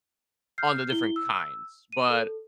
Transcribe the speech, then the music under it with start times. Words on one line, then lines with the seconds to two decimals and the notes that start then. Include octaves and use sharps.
on the different kinds, but
0.58 F6 G6 C7
0.90 E4 G7
1.16 E6
1.93 D#7
2.10 A4